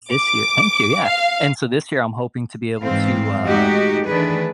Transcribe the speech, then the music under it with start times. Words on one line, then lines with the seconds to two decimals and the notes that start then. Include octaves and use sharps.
this year Thank you, yeah, and so this year I'm hoping to be able to, uh,
0.13 D6
1.07 F5
2.82 G#2 E3 C4 F5
3.46 G#3 A3 D#4 F#4 G4
4.08 D#3 E3 A3 D4 G#4 B4